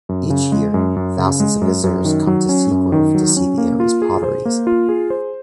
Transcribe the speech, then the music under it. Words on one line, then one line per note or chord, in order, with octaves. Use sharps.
Each year, thousands of visitors come to Seagrove to see the area's potteries.
F#2
C#3
G#3
F#2
F#2
C#3
G#3
F#2
F#2
D#3
F#3
C#4
F#2
D#3
F#3
C#4
A#3
F4
G#4
C5
A#3
F4
G#4
C5